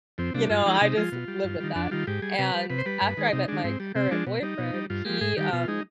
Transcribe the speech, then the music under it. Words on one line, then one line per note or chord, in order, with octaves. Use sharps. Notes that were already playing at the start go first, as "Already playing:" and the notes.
you know, I just lived with that and, after I met my current boyfriend, he, um
F2 C4
C3 G3 D4
G2 F4
F3 G#3 D#4
C3 D#4
F3 G#3 F4
B2
G3
G2
D#3 G3
F2 D4
D#3 G3 F4
G#2 G4
G3 G#4
C3 B4
G3
C3 B4
C5
G3 B4
G2
D#3 G#3
C3 D#4
D#3 G#3 D4
G#2 C4
G3
C3 C4
F3 G#3 D4
B2
G3 D#4
B2
G3
G2 F4
F3 G#3 G4
G#2 G#4
D#3 G3 G4
B2 F4
G#3 D#4